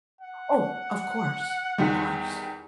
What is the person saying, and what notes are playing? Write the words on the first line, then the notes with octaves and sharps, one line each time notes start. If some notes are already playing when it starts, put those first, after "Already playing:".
Oh, of course, of course.
F#5
E2 D#3 G3